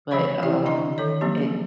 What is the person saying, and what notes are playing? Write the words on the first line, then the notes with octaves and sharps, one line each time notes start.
but, um, it
E3 F3 C#5 E5 B5 C#6
E3 E4 G4 D5
D3 D4 D5 D#5 A#5 C#6
D#3 A4 C#5
F3 F#3 A#3 C4 D#4 G4